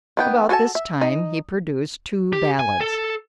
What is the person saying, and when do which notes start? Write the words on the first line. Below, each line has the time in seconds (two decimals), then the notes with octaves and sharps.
About this time, he produced two ballads.
0.17 D#3 B3 G5
0.49 D4 F#4 A4 G#5 A5
0.75 E5
1.01 D#4
2.33 G4
2.60 G#5
2.81 A4